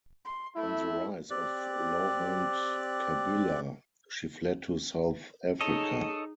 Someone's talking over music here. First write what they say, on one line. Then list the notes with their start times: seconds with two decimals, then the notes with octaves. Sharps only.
On the rise of Laurent Kabila, she fled to South Africa.
0.25 C6
0.56 A3 E4
1.30 C4 G4 D5 F#6
5.61 D#4 G#4 A4 C#5 D#5